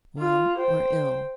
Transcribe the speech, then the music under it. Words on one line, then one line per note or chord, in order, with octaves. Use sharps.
Well or ill....
F4
C5 G5